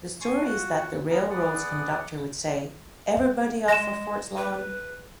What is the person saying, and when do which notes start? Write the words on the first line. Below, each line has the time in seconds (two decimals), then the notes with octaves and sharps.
The story is that the railroad's conductor would say, Everybody off for Fort's Lawn!
0.21 G#5 C6 C#6
0.43 F4 F#4 F#5
1.11 A#3 B3 A#4 A#5
1.30 B3 G#4 D5 F#5
3.68 G#3 A#6 E7
4.37 B4